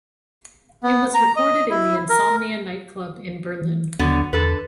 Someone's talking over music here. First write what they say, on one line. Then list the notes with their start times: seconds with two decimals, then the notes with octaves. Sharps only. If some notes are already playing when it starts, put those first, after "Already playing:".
It was recorded in the Insomnia nightclub in Berlin.
0.83 B3
1.14 A#5
1.36 D#5
1.70 E4
2.09 A#4
3.62 E3
3.99 D#2 D3 F#3 B3
4.33 E2 D3 A4 B4